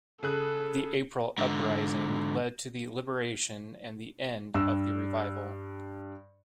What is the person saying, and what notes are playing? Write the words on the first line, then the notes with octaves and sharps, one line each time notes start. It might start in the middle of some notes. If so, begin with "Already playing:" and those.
The April Uprising led to the liberation and the end of the Revival.
C#3 G#4 A4 F#6
G#2 D3
G2 E6